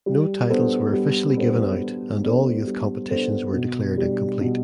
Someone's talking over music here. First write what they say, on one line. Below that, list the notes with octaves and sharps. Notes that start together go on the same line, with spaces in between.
No titles were officially given out and all youth competitions were declared incomplete.
G3
B3 D4 A4 C5
G3
B3 D4 A4 C5
G3
B3 D4 A4 C5
G3
B3 D4 A4 C5
B2
G3 D4
B2